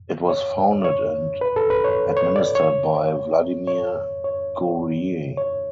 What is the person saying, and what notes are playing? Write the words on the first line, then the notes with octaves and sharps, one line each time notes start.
It was founded and administered by Vladimir Guerrier.
C#5
C#5
B4
A4
B4
C#5
C#5
D5
C#5
C#5
C#5
C#5